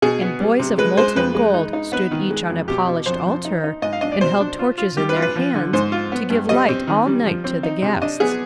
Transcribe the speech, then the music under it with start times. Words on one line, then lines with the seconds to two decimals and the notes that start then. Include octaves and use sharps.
And boys of molten gold stood each on a polished altar, and held torches in their hands, to give light all night to the guests.
0.02 B2 G#4
0.21 B3
0.40 G3
0.59 C3
0.78 G#3 B4
0.97 G#3 C5
1.16 F2 B4
1.35 G#3
1.54 D#4
1.73 D#4
1.92 B3 B4
2.11 D#3
2.30 G#3
2.49 F2
2.68 B2 G4
2.87 B2
3.06 F2 C5
3.26 F2
3.45 D#4
3.64 D#4
3.82 G#2 D#5
3.93 F5
4.01 D4 D#5
4.12 D5
4.21 B2 C5
4.40 D4
4.59 F4
4.78 F4
4.97 G3 G4
5.09 B4
5.16 F4
5.22 B4
5.36 F3
5.54 D3
5.73 G#2 C5
5.92 F4
6.12 B3
6.30 G2
6.49 G3 D#5
6.68 C4
6.87 D#3
7.06 G3
7.26 F3
7.44 C4
7.63 D#4
7.82 C3
8.02 D4 D#5
8.20 B3 G#4